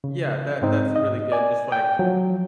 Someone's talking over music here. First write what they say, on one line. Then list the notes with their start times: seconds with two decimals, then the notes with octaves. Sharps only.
Yeah, that that's a really good just, like,
0.04 C#3
0.62 G#2 C4 D#4
0.96 D#5
1.32 D5 G#5
1.72 G5
1.99 F3 F#3